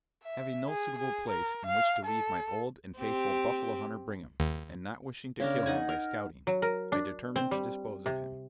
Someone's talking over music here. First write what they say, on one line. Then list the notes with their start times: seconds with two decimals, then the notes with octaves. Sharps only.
Having no suitable place in which to leave my old and faithful buffalo-hunter Brigham, and not wishing to kill him by scouting, I determined to dispose of him.
0.24 E5
0.69 G#4
0.98 G#4
1.30 A#4
1.67 F5
2.06 A4
2.98 C4 G4
4.40 D#2
5.40 C#3 D4 A#4
5.66 D#4 F#5 G#5
5.89 A#4
6.47 F#3
6.62 A#4
6.92 D4
7.36 C4
7.51 G3
8.06 C3